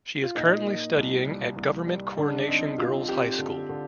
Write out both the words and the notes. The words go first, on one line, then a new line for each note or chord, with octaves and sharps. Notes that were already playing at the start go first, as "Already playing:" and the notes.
She is currently studying at Government Coronation Girls High School.
F4
A#2 D#4
A#2
C2
G3
C2
G3
D3 D4
D4
C4 D#4
C4 F4
C4 G4
D3
D3